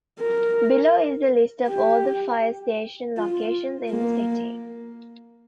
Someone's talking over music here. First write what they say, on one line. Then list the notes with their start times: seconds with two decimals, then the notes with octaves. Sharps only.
Below is a list of all of the fire station locations in the city.
0.20 A#4
1.69 G4
3.17 F4
3.91 A#3